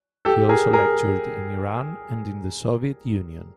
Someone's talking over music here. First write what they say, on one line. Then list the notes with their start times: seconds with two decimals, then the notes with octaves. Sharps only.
He also lectured in Iran and in the Soviet Union.
0.25 G4 A4
0.49 G#4 A#4
0.73 G#4 A#4